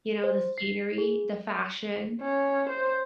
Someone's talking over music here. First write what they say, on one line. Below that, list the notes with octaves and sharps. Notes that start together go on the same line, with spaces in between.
you know, the scenery, the fashion.
C5
C7
G#4
C#4
C5